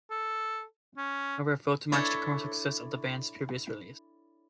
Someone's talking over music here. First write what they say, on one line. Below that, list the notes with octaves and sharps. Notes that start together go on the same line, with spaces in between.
However, it failed to match the commercial success of the band's previous release.
A4
C#4
D4 E4 A4 C#5